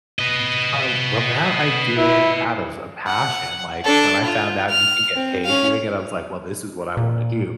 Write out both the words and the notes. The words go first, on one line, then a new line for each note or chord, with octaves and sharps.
Um, well, now I did out of a passion, like, when I found out you can get paid doing it I was like, "Well, this is what I wanna do,"
B4 D#5
E4
F#5
D4 A4
F4
F6
C4
C#4 F5
A#2